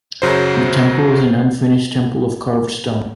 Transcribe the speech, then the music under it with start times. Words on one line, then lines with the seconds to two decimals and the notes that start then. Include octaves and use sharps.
The Temple is an unfinished temple of carved stone.
0.22 F#2 C#3 F#3 C5